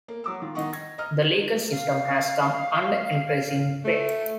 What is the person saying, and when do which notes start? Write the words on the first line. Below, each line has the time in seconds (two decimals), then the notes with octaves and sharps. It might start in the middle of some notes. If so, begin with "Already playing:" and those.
The legal system has come under increasing threat.
0.08 A#3
0.24 F#3 D6 E6
0.42 D#3 F4
0.55 D#3 D#4 D#5 F#5 C#6
0.73 G#6 A#6
0.98 D#5 A#5 F6
1.73 F5
3.84 A3